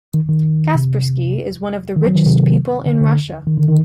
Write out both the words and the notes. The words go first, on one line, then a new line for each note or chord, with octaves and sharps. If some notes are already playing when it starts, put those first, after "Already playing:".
Kaspersky is one of the richest people in Russia.
D#3
D#3
C3
D#3
F#3
D#3
C3
D3
D3
D#3
D3
D#3